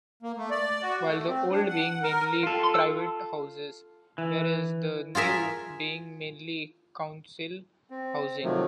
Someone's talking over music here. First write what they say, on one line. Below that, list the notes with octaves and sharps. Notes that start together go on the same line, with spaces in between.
With the 'old' being mainly private houses whereas the 'new' being mainly council housing.
A#3
A3
D5
F#4
A3
C4
D4
F#5
A#4
F4 A4
E3
F4 G#4 A#4 E5
C4
C3 D#3 F3 F#3 A3